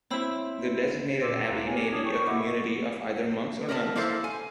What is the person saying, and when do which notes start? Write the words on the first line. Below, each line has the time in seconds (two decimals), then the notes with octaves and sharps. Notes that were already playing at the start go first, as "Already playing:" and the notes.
The designated abbey may be a community of either monks or nuns.
0.11 C4 E4 C#5 B5 E6
1.21 A#2 A#4 C6 D6 E6
1.49 D#2 C3 C4 B4 F5 A#5
1.66 G4 A#4 C#5 G#5
1.90 D4 C#5 D#6
2.05 G5 C#6
2.26 E4 F#4 D#5 E5 F#5 D6
3.69 A#4 B4 D5 A5
3.96 A#3 E4 A4 C5 F5
4.24 G#5